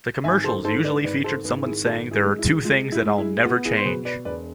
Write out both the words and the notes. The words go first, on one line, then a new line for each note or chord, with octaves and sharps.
The commercials usually featured someone saying There are two things that I'll never change.
G#1 E5 G#5
A4 C5
G#2 A4 C5
B4 D5
G#1 B4 D5
A4 C5
G#1 G#4 B4
E4 G#4
G#1 F4 A4
E4 G#4
G#3
E4
G#3 F4
E4
G#3
E4
B3 F4
E4 G#4
C5
B2 G#4 B4
B4 D5
E1 B4 D5